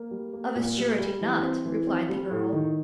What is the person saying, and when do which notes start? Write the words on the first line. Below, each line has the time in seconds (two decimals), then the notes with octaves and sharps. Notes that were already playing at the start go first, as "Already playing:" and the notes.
"Of a surety not," replied the earl.
Already playing: A#3
0.11 G3
0.33 A#3
0.55 A#2
0.77 G3
0.99 G3
1.21 E3
1.43 C4
1.65 E3
1.87 C4
2.09 G3
2.31 A2
2.53 D#3